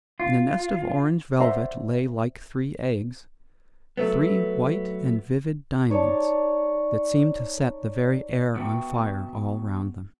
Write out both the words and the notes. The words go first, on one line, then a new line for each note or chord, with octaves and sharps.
In a nest of orange velvet lay like three eggs, three white and vivid diamonds that seemed to set the very air on fire all round them.
F4
C5 D5 E5 F#5 A#5 C6
F#3 A3 B3
D#4 C#5 D5 A5
B3 F#4 G5